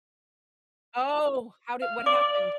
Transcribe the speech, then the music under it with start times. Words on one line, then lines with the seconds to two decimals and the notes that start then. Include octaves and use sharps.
Oh, how did what happened?
1.82 F5
2.06 D5 D6